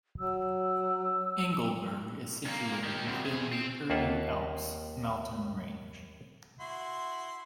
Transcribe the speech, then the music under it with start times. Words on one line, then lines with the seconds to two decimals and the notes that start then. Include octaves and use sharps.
Engelberg is situated within the Uri Alps mountain range.
0.19 F#3 E6
2.45 G2 A#3
2.84 D#3 G4
3.06 D2 C4
3.26 E2 G#4
3.52 C4
3.90 D#2 A#3 F4 E5 F#5
6.60 E4 F#4 C6